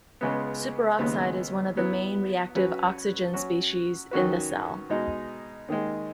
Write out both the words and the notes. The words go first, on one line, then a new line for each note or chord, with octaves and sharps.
Superoxide is one of the main reactive oxygen species in the cell.
C#2 C#3 G#3 B3
D#2 C#3 G#3 B3
F#3 B3 E4 B4
F#3 C#4 F#4 B4
F#3 C#4 F#4
D#3 F#3 C#4 F#4 B4
B2 G#3 D#4
D#2 D#3 G#3